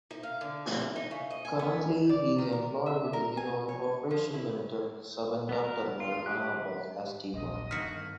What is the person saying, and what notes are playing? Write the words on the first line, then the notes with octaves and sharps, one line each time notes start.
Currently, he is employed with Indian Oil Corporation Limited, Subedar Terminal, Allahabad as Dy.
D#4
F5
D3
A#2
E2
D#4
C#3
D#5
G#5
B3
D5
D#3
A#4
E5
A#4
G#5
C#5
F3
E4
B3 A#4
F4
G4 F#6
D#1 A#1 D#5
G2 D#3 A#3 F#4 F6 B6